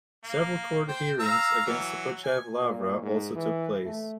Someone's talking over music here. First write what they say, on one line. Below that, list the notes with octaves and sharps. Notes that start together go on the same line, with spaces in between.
Several court hearings against the Pochayiv Lavra also took place.
A#3
C5 G5
F5 A#5 E6
E3 F#3
G#5
A#2
G#2
E3
A3